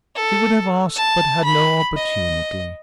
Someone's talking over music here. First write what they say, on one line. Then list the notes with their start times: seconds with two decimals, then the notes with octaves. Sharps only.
She would have asked, but had no opportunity.
0.15 A4
0.96 A5
1.44 B5
1.96 D#5